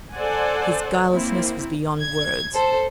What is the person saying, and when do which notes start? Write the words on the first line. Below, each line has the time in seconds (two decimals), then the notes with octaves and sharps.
His guilelessness was beyond words.
0.14 A4 C5 D5 F#5 G#5
1.11 A#3 C4 E4
2.02 G#6
2.54 A4 C5